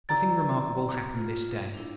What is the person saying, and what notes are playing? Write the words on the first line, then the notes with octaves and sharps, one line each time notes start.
Nothing remarkable hapened this day.
E4 G4 D5 A#5 A6
F4
D4 E4